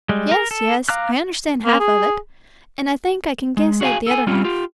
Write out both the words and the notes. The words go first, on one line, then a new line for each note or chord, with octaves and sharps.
"Yes, yes; I understand half of it, and I think I can guess at the other half."
G3 G#3
A#4
A4
F5 A#5 D6 F6 F#6
A#3
G#4
G#3
F#4 G#4 D#5 F5 G#5
A4 G#5
G3 C4 C#4 F4
F4 G4